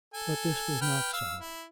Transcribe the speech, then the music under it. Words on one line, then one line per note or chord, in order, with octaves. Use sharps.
But this was not so.
A4 G#5
B4 G5 F6
F5 E6
E4